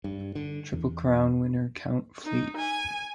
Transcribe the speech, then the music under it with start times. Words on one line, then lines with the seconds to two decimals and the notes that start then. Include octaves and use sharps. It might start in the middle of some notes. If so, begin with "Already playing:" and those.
Triple Crown winner Count Fleet.
0.04 G2
0.35 D3
0.73 E2
2.25 D#4
2.57 G#5